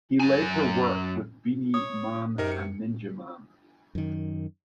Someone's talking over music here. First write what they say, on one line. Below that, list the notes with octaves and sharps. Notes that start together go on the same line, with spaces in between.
He later worked with Beenie Man and Ninjaman.
F#2 G#5
C#5 D#6
F#2 C3 D#4 A#4
C#7
F#2 D#3